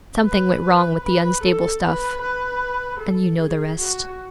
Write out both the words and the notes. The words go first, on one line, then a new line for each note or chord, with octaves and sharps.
Something went wrong with the unstable stuff,--and you know the rest.'
B4
B4
B4
A4
B4
B4
A4
G#4
F#4